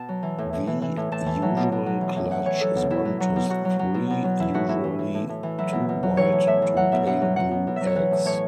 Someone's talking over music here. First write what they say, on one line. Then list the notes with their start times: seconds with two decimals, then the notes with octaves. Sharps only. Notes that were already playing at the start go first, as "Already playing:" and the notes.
The usual clutch is one to three, usually two white to pale blue eggs.
Already playing: B2 A5
0.09 F#3
0.23 E3
0.38 A2
0.53 A2
0.67 E3
0.82 E3
0.97 A2
1.12 A2 A5
1.26 E3
1.42 F#3
1.57 B2
1.72 B2
1.86 F#3
2.01 E3
2.16 A2
2.31 A2 F#5
2.45 E3 C#5
2.61 F#3 A4
2.76 B2
2.90 B2 E4
3.05 F#3
3.20 F#3
3.36 B2
3.49 B2 F#4
3.65 F#3
3.79 F#3
3.94 B2
4.10 B2
4.24 F#3
4.39 E3 E4
4.54 A2 F#4
4.69 A2 E4
4.84 E3
4.99 E3
5.14 A2
5.29 A2
5.43 E3
5.58 F#3 E4
5.73 B2
5.89 B2
6.03 F#3
6.17 E3 C#5
6.32 A2
6.47 A2 E5
6.62 E3
6.77 F#3 F#5
6.92 B2 E5
7.07 B2 F#5
7.22 F#3
7.36 F#3 F#5
7.51 B2
7.67 B2
7.76 F#3 E5
7.87 C#5
7.96 E3 B4
8.11 A2
8.25 A2 C#5